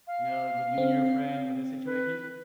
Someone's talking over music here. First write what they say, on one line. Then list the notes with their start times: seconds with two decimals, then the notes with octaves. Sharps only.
You know, with you and your friend, with this situation,
0.07 F5
0.78 C4
1.86 B4